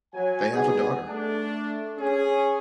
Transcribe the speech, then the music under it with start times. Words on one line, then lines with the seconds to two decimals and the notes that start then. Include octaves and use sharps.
They have a daughter.
0.14 F#3 G#5
0.52 G3 B3 D#4 G#4
1.07 A3 D4
1.99 C#4 G#4